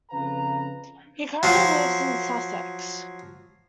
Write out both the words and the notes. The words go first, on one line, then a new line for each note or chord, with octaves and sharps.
He currently lives in Sussex.
F2 C#3 B4 F5 A#5
F3 F#3